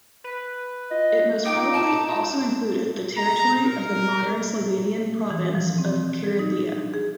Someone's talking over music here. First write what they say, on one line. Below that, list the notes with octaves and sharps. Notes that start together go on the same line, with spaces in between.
It most probably also included the territory of the modern Slovenian province of Carinthia.
B4
F4 D#5
D#4 G5 D6
A5
A#5
A#4
E3
F3
C4
G#4
D#4
D4
G#4